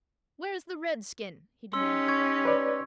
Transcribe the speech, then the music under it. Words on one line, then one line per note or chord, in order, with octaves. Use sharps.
"Where is the redskin?" he demanded abruptly.
C#4 D#4 G4 C6 E6
C#6 G#6
B4 C#5 D5